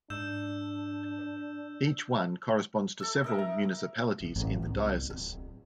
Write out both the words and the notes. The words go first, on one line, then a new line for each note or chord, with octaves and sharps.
Each one corresponds to several municipalities in the diocese.
G#2 D4 E6 G6 E7
A4 E6
D#4 A#4 E5
A#5
F1 C2
G#1
C2 B3
D1 F4